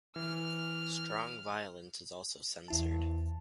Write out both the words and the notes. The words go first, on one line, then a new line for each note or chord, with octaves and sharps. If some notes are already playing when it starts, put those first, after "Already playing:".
Strong violence is also censored.
E3 F6
E2 E4 A5